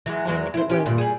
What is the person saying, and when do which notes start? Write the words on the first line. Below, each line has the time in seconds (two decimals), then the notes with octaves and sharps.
And it was
0.06 E3 F#3 G#3
0.28 E2 F#3 G#3
0.54 E4 C5
0.69 C#4 G4
0.86 G2 A#2 D#3
0.98 G3 G#4